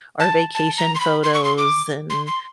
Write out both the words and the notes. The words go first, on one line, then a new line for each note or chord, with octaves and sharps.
our vacation photos and
A5
A5
A#5
C6
B5
C6
C#6
C6
D6
C6
C6